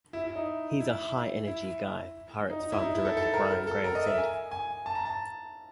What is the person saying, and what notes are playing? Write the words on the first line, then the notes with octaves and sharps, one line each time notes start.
"He's a high-energy guy", Pirates farm director Brian Graham said.
E4
E4
D#4
E4
E4
D#4
D#4
E4
D#4
E4
A4
A4
A#4
A#4
A4
A#4
D#5
E5
G#5
G#5
A5
A#5
A5